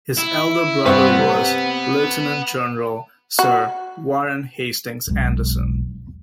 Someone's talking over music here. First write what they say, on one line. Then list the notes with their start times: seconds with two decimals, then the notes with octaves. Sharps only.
His elder brother was Lieutenant General Sir Warren Hastings Anderson.
0.18 E4
0.85 G2 C4 B4 F#5 C#6
1.19 C3
3.39 F#4
5.07 E1 B1 G#3